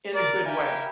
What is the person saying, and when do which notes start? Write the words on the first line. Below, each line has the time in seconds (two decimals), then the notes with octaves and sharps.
in a good way,
0.14 A#4 D5
0.44 E4 G4 A#4 F5 G5 G#5